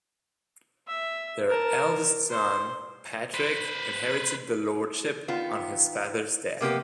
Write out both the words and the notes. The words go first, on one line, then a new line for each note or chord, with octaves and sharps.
Their eldest son, Patrick, inherited the Lordship on his father's death.
E5
A#4 A5
C5
B4 C5
D#3 B3 F4
C3 A#3 B3 G4